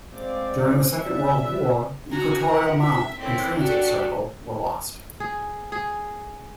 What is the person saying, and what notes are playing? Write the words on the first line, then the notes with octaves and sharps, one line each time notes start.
During the Second World War, the equatorial mount and transit circle were lost.
G#3 C4 D5 F5 D6
E4 B4 D5 E5
D4 F#4 G#5 A#5
E4 A#4 F#5
E5
A3 A#3 C4 C#4 E4
D4 F#4 G4 A4 D5
G#4
G#4